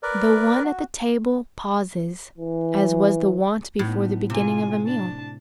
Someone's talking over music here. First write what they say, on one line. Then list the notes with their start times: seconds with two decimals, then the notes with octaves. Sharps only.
The one at the table pauses, as was the wont before the beginning of a meal.
0.03 A#4 B4 D5
0.64 F#4
2.38 E3
3.79 A2 B3 D#4
4.30 C3 F4 G#5
4.86 D4 A5